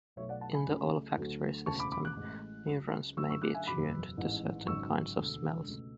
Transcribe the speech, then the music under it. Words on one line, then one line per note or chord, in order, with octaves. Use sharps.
In the olfactory system, neurons may be tuned to certain kinds of smells.
B1 B2 A3 C#5 E5
D5 F#5
F#5 A5
G#5 B5
C#2 C#3 F#3 A3
D2 D3 F#3 A3
E1 D2 C#3 A5 C#6
B5 D6
B5 D6
D6 F#6
A1 A2 G#3
C#2 C#3 F#3
F#2 D3 F#3 A3 C#6 E6
C#6 E6
D6 F#6
E5 G#5
F#1 E2 B2 F#3 B5 D6
A1 G#2 E3
G#1 F#2 C#3 G#3 C#6 E6
E1 D2 D3 G#3
C#2 B2 A3